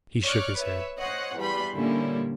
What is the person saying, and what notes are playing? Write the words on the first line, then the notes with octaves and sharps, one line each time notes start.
He shook his head.
C#5 D5 C#6 D6 F6 F#6
B4 C#5 E5
C5 C#5 D#5 F#5
E2 G3 B4 B5 C6
A#2 D3 G3 A#3 C#4 E4